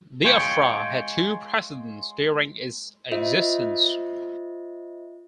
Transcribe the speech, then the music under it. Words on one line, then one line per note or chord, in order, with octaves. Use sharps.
Biafra had two presidents during its existence.
G#3 F4 C#5 G5
F4 C5 D#5 E5